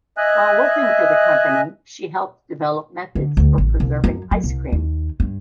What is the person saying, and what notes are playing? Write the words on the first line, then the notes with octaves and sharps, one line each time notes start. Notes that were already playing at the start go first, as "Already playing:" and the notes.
While working for the company she helped develop methods for preserving ice cream.
D#5 E5 G#5 F#6
D3
D2
A1
C2
F#2
F#3
C2
D#2
G2